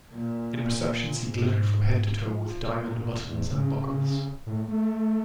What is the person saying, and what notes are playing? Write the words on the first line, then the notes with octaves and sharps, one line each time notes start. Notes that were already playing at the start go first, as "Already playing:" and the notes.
In receptions he glittered from head to toe with diamond buttons and buckles.
A#2
G#2
F3
A#2
E2
C#3
A2
A3